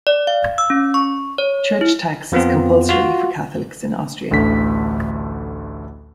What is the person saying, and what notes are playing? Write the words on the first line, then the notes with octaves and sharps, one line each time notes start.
Church tax is compulsory for Catholics in Austria.
D5
F5
E6
C#4
C#6
C#5
E4
F2 F3 B3 C4 F4
F4 F#4
A1 D2 D3 A3 B6